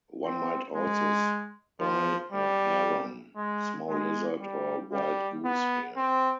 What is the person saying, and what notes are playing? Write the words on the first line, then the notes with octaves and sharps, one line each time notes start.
One might also spy a heron, small lizard or wild goose here.
C4
G#3
F3
G3
G#3
G#3
G3
G3
B3
C4